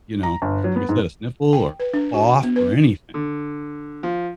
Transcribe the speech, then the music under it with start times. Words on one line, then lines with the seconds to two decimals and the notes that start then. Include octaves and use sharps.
you know, like I said, a sniffle or cough or anything.
0.23 A#5
0.42 G1
0.64 F#3
0.76 B3
0.89 G#2
1.53 G5
1.80 B4
1.94 D4
2.14 F#4
2.43 B3
2.56 B4
3.14 D3
4.03 F3